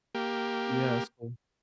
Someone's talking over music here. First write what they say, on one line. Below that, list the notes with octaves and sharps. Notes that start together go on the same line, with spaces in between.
Yeah, that's cool.
A#3 G4